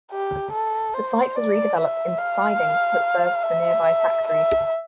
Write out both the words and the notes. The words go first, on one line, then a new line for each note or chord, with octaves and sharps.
The site was redeveloped into sidings that served the nearby factories.
G4
A4
C5
D5
E5
F5
E5
E5